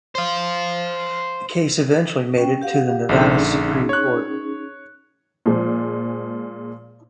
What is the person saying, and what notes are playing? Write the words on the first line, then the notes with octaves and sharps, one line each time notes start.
The case eventually made it to the Nevada Supreme Court.
C5 F5
C#4 G5
G4 F5 F#5
A#1 D3 C#4 D#4 G#4
C#5 F#6
A#2 F3 G#3